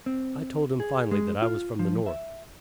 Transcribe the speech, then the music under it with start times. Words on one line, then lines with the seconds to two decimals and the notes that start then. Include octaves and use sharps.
I told him finally that I was from the North.
0.06 C4
0.80 G#4
1.11 G#3
1.42 F4
1.79 F3
2.06 E5